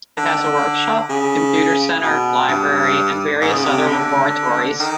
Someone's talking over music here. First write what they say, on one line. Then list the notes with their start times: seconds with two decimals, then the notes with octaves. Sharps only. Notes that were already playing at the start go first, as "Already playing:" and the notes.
It has a workshop, computer centre, library and various other laboratories.
0.18 D3
1.10 C#3
2.03 B2
2.48 G2
3.42 G#2
3.55 C#3
3.64 C3
3.87 D3
4.80 D#3